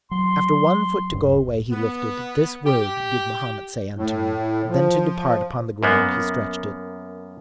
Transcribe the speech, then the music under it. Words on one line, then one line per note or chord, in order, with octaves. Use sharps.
After one foot to go away he lifted, This word did Mahomet say unto me, Then to depart upon the ground he stretched it.
F#3 C6
D1 G2
B3
G4
A2
F3
F#2 A#3 B3